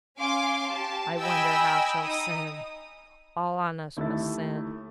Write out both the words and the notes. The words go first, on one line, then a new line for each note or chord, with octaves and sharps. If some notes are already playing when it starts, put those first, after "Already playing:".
I wonder how she'll sin. All on us must sin.
C#4 F5 G#5 C6 D6
G4 A5
D#5 G5 G#5 B5 E6
D#4 D#6
D#2 A3 E4 E5 A6